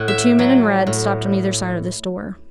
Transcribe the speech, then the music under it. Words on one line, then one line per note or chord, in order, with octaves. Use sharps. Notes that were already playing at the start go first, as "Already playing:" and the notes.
The two men in red stopped on either side of this door.
Already playing: A2 F#5
E5
F#3
A2